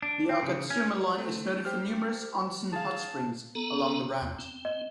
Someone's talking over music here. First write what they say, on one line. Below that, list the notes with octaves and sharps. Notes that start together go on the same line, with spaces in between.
The Agatsuma Line is noted for numerous "onsen" hot springs along the route.
D4
C4
C#3
C#4
A3 C4
G4 C5 F6
G#4 F5 A5
B3 A4 A#5
E2
C4
D#5